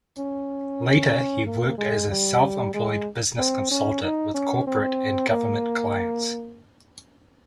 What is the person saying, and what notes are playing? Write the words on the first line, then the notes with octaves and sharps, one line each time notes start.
Later, he worked as a self-employed business consultant with corporate and government clients.
C#4
A#3
G#3
G3
G#3
C4
C#4
D#4
C#4
C4
A#3